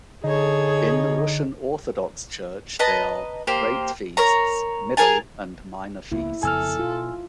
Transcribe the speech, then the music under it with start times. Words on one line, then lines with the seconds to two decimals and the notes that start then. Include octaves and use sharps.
In the Russian Orthodox Church they are: Great Feasts, middle, and minor feasts.
0.24 D3 D#4 G#4 A4 C#5
2.79 B4 D#5 A5 A#5
3.47 A#3 G4 C5
4.17 A#4 C#5 A#5
4.97 G#4 A#4 G#5 A5
6.12 C#2 A#3 B3 E4
6.43 F2 C#3 B3 A4 G#5 E6 F6
6.79 B2 F4